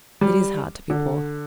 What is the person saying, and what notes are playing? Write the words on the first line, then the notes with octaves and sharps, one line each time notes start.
It is hard to be poor.
G3
D3